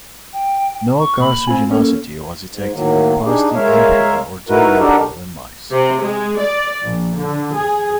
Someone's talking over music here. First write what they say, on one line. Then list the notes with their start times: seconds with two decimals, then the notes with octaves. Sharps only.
No carcinogenicity was detected with parsley apiol or dill apiol in mice.
0.33 G5
0.99 C#6
1.20 A#2 B5
1.47 C4 F4 G#5
1.71 A#3 C#4 A4
2.51 G#2
2.73 A2 D#3 F#3 A#3
3.25 D4 D#4 G4 G#4
3.55 G#3 A#4 C#5 E5 F5
4.49 D#4 E4 F#4 A#4 B4
4.79 D4 D#4 F#4 G4 A4 A#4
5.71 C3
6.01 G#3
6.40 D5
6.84 A#1
7.17 D3
7.56 G#4